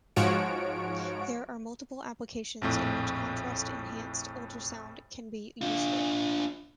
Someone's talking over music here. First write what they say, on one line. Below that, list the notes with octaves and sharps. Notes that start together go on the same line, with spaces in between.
There are multiple applications in which contrast-enhanced ultrasound can be useful.
G#2 F3 F#4 C#5 D7
A#1 F2 A2
D4 F4